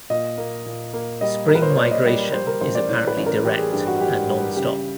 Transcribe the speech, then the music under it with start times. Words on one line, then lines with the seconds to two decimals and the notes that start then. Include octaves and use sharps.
Spring migration is apparently direct and non-stop.
0.10 A#2 D#5
0.38 A#3
0.66 A#2
0.93 A#3
1.21 G3 D#5
1.48 A#2 A#4
1.55 B4
1.62 C5
1.70 C#5
1.77 A#3 D5
1.91 D#5
2.05 G3 D5
2.33 G3 C5
2.47 A#4
2.61 A1 C5
2.75 D5
2.89 E3 C#5
3.07 B4
3.17 A1
3.26 A#4
3.44 A1 G4
3.59 G#4
3.72 G2 G4
3.87 F#4
4.00 G2 G4
4.28 G3
4.56 C#3 G4